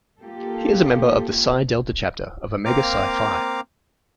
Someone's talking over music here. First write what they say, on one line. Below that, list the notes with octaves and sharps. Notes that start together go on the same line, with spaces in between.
He is a member of the Psi Delta Chapter of Omega Psi Phi.
A#3 F4 G4 A4
A#3 C4 F5 A#5 D6